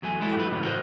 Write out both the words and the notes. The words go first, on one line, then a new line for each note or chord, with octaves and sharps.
Come out!
E2 F#3 A3 G#5
G#3 A3 D4 E4 A4
G2 F#3 A3 B4
A2 C#3 E3 G3
F#4 A#4 C5 D#5